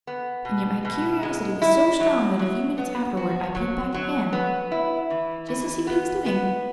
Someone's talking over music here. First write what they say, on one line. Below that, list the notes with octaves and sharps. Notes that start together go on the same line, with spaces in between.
And yet my curiosity was so strong that a few minutes afterward I peeped back again, just to see what he was doing.
B3
B2
B2
G#3
E4
F#3
F#3
B3
F#4
F#3
F#3
B3
E4
E3
E3
B3
B3